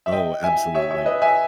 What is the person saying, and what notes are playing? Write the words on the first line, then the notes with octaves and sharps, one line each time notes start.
Oh, absolutely.
E5
D#5 G5
E5 G#5
C#5 E5
C#5 E5
B4 D#5
E5 G#5